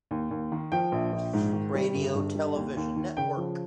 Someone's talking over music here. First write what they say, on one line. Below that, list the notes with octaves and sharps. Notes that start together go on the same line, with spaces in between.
Radio Television Network.
D#2
D#2
D#3
F3 G5
A#1
A#1
G#2
D#3
G3
G1
G2
G3
D#2
D#2
D#3
C#3 G5
F3